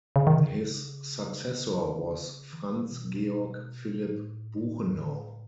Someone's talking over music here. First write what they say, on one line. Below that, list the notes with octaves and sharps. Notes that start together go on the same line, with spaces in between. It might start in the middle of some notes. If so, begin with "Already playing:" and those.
His successor was Franz Georg Philipp Buchenau.
C#3
D#3
C#3
E3
B2
A2